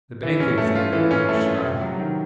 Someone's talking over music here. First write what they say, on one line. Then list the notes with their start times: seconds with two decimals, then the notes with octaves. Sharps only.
The bank examiner was shocked.
0.23 E3
0.40 C#4
0.58 A3
0.75 F4
0.93 E3
1.11 C#4
1.29 A3
1.46 F4
1.64 C3
1.82 F#3
1.99 D#3